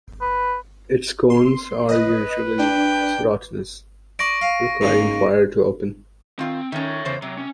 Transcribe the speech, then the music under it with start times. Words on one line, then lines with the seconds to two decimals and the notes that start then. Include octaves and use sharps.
Its cones are usually serotinous, requiring fire to open.
0.22 B4
1.30 C6
1.89 B4 D#5
2.59 D4 G5
4.19 D5 C#6 A#6 D7
4.41 F5
4.81 G#2 C#3 A#3
6.39 D#3 C4 F4
6.72 D#3 C#4 C#5 E5
7.05 E2 C#3 C5
7.22 C3 F#3
7.37 C#4